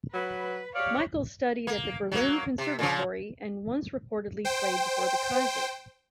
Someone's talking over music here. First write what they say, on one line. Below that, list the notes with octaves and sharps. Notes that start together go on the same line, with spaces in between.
Michael studied at the Berlin Conservatory and once reportedly played before the Kaiser.
F#3 B4
G4 C#5 D5 F5
A#3
F#3 A#3
C3
A#2 C#3 F3
C5 G5